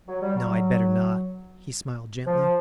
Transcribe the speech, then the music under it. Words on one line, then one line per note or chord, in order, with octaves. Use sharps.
"No, I'd better not," he smiled gently.
F#3
G3
F#3
F3